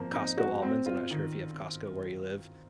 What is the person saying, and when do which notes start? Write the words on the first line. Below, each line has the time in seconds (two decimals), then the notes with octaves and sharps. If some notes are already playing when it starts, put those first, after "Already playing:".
Costco almonds, I'm not sure if you have Costco where you live,
Already playing: F3 A#3
0.14 D#4
0.38 F#4
0.63 C4
0.86 F4
1.11 D#3